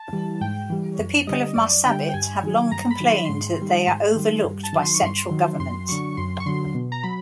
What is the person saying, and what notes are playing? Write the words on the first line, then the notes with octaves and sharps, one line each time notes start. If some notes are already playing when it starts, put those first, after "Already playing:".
The people of Marsabit have long complained that they are overlooked by central government.
Already playing: A5
E3 G3
G#2 G5
E3 G3
F#2
D3 G3 D#5
F#2 D5
D3 G3 G5
G5
G2 G#5
D#3 F#3
G2 A#5
B5
D#3 F#3
C6
B5
G#2 C6
D#3 G3
G#2
D#3 G3
G2
A5
D#3 F#3
C6
C#6
G2 C6
D#3 F#3
F#2 C6
D3 F#3 C#6
F#2 C6
C#6
D3 F#3 C6
B2
A#5
F#3 B5